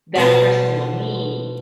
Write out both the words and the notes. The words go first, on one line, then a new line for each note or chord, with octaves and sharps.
that person will need,
B2 F3 B3